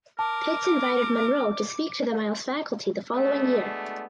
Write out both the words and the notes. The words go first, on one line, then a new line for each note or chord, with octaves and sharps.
Pitts invited Monro to speak to the Miles faculty the following year.
A#4 A5 D6
G#3 A3 B3 D4 F#4